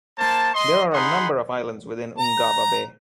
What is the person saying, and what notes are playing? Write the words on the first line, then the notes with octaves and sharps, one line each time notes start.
There are a number of islands within Ungava Bay.
A#3 C5 A5
D#5 C6
D#4 G#4 F#5 B5 C6
A#5